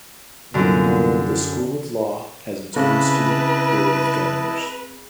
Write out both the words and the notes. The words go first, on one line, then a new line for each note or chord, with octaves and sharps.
The School of Law has its own Student Board of Governors.
C2 F#2 A#2 D3 B3
C#3 C4 E4 G#4 B4 D#5 A5